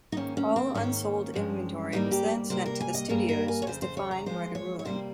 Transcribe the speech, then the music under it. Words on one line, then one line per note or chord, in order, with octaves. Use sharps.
All unsold inventory was then sent to the studios as defined by the ruling.
D#4
G#2 D#3 A#3 C#4
C#4
C4
G#2 D#3 A#3 C#4
G2 F3 G#3
G#2 G3 A#3 D#4
G4
C3 G3 A#3 C5
A#4
G#5
D#5
G2 G3 A#3 G#4
A#4
G#5
C#5
F2 C#3 F3 A#3 C5
C5
C#5
A#5
A#2 F3 G#3 C5
C#5
C#5
C3 G3 A#3 C5